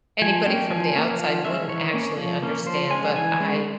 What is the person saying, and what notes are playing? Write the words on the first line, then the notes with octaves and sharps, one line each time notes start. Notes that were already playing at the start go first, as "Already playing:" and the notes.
anybody from the outside wouldn't actually understand, but I
F3 G#5
A#3 C#4 G5
F3 G#5
A#3 C#4
F3 F5
G#3 C#4 E5
E3 C#5
A#3 C#4
F3
A#3 C#4
F3 C5
G#3 C#4 G#5
E3 G#5
G#3 C#4